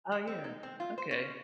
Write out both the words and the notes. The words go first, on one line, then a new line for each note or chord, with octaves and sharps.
Uh, yeah, okay.
G#3
C4
D#4
C4
F4
C5
C#4